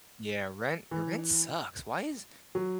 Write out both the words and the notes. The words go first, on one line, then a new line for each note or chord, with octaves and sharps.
Yeah. Rent your rent sucks. Why is
E3
F#3